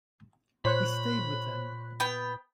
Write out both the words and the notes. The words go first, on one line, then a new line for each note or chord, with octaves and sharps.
He stayed with them.
A#2 C5 C#5 B5 F#6
B3 G5